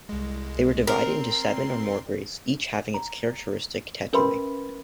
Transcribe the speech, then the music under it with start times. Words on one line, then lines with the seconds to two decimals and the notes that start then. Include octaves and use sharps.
They were divided into seven or more grades, each having its characteristic tattooing.
0.09 C2 G#3
0.87 C4 A#4 C6 C7
2.94 A#5
4.13 C#4 A#4 B4 E5 B5 C6